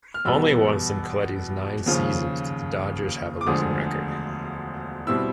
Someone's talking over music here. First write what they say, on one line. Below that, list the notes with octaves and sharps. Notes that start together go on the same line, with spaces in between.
Only once in Colletti's nine seasons did the Dodgers have a losing record.
F6
E2 B2 G3 B3 E6
D#2 C#3 F3
D6
E1 D2 D3 F3 G#3 D#6
B2 G3 C4 E4 E6